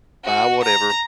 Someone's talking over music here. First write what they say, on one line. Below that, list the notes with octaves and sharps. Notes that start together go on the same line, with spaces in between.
buy whatever."
F#4
A#5